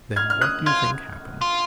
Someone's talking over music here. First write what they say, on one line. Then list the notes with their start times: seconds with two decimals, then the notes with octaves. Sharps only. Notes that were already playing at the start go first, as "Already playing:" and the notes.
Then what do you think happened?
0.16 F6 G#6
0.30 F6
0.41 D#6 F#6
0.66 F4 F6 G#6
1.41 F4